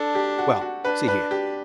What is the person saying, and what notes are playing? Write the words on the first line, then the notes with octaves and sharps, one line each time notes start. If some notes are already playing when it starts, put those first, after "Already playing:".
Well, see here.
Already playing: D4 A4
G4
F#4
F#4
D4 B4
B4
G4